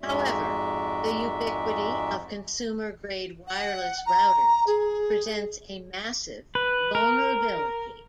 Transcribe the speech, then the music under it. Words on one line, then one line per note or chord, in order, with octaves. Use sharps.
However, the ubiquity of consumer grade wireless routers presents a massive vulnerability.
F2 G#2 G#3 F#4 D5 E5
F#5
A#5
G#4
B4
A#4